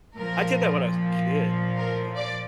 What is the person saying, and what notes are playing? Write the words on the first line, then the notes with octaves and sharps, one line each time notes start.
I did that when I was a kid, you know?
A#2 F3 A#4
A#4
D5